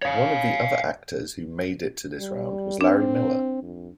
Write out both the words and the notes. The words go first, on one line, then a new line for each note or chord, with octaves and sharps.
One of the other actors who made it to this round was Larry Miller.
C#5 F5
G3
C4 D4
F2